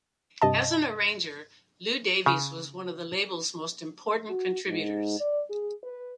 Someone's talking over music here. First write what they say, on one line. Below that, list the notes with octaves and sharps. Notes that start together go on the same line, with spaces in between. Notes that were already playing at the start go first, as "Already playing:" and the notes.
As an arranger, Lew Davies was one of the label's most important contributors.
G2 C3 D#5 A5
C#3
F#4
G#2
D5
G#4
B4